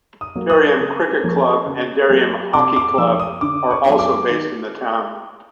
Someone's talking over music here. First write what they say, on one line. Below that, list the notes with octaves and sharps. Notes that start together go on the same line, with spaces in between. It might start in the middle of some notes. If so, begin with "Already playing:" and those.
Dereham Cricket Club and Dereham Hockey Club are also based in the town.
D#6
F#3 A#3
D#6
C#3
F3 A#3 C#4
C#3
F#3 A#3
C3 D6
D6
F3 A#3 D#4 E6
D#6
D3 D6
C#6
F#3 B3 D4
D6
D#3